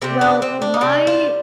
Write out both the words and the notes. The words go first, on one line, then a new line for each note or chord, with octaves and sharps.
Well, my
C3 G3 C4
D4
C4
D4
D#4
C3 G3 D4
F4